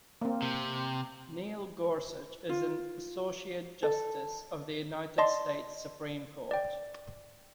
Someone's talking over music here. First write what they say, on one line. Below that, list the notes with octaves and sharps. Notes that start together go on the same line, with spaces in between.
Neil Gorsuch is an Associate Justice of the United States Supreme Court.
A#3 C4
C3
F4
A4
D5 D#5 A5 C6
D5 G5